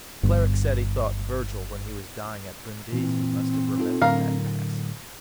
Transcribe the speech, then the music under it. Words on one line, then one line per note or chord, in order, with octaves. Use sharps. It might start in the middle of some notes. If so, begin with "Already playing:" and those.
Cleric said he thought Virgil, when he was dying at Brindisi, must have remembered that passage.
G1 G2
A#2 E3 C4
D#4 F4 A4
A2 D3 F#3 A#4 F5